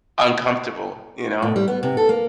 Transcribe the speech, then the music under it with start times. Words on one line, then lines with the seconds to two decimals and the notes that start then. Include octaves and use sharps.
uncomfortable, you know?
1.42 A2
1.56 G3
1.68 B3
1.83 C3
1.97 A4
2.09 A#3